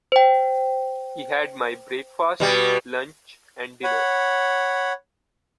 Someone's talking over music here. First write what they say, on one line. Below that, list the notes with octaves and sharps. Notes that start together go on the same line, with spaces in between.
He had my breakfast, lunch and dinner.
C5 G5
B2 G3
C#5 F#5 B5